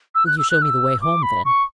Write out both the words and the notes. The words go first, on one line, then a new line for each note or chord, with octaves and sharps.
"Will you show me the way home, then?"
E6
F#6
E6
F#6
E6
D6
B5
C#6